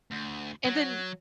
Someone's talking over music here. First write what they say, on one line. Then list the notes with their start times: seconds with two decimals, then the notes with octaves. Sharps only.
and then,
0.11 D2
0.65 F#3